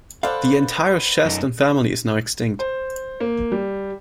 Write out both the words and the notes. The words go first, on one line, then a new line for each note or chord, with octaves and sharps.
The entire Shastan family is now extinct.
A4 B4 C5 D5 F5 F#5
F#2 D#4
C5
A#3
G3